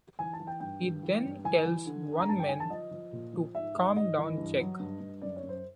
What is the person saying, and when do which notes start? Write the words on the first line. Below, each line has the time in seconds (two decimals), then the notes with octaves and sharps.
He then tells one man to Calm down Jack!
0.19 E3 G#5
0.33 A5
0.40 E3
0.47 G5
0.60 G2 G5
0.82 G2
1.03 E3
1.23 G2
1.44 E3 G#5
1.65 E3
1.86 D3
2.08 D3
2.20 A#5
2.29 G2 A5
2.40 G5
2.49 D3 G#5
2.60 A5
2.70 F3 D#5
2.91 F3
3.13 A#2
3.33 F3
3.55 G#2 E5
3.75 G#2
3.96 G#2 D#5
4.18 E3
4.38 G2
4.60 F#3
4.80 G2
5.01 G2
5.22 F#2 D5
5.36 C#5
5.43 F#2
5.49 C5